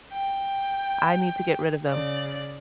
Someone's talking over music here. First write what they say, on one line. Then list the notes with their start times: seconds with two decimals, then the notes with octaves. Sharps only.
I need to get rid of them.
0.11 G5
1.86 C#3 D5